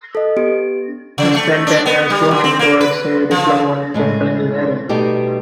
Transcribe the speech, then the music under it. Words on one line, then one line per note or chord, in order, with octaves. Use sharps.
He spent ten years working towards a diploma in chemical engineering.
A4 D#5
B3 G4 D7
C#3
A3
D4
B3
G3
D3
C4
A#3
B4
F3
A2 G#3 A3
B2 G3 A3 D#4 G4